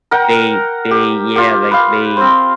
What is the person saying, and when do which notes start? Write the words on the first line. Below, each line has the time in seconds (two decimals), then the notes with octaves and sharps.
they they yeah, like, they
0.11 A#4 F#5 G5
0.91 G4
1.36 F4 G4
1.71 B4 F5
2.17 C4 C5